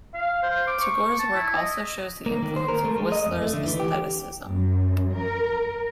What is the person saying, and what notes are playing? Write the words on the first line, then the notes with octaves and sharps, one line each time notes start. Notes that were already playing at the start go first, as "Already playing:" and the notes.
Tagore's work also shows the influence of Whistler's Aestheticism.
F5
C5
D6
C#6
A5
E4
D#5
A#3
D#3
C5
A#4
A3
G#3
D#5
F2
A3
D3
E3
G4
F#2
A#4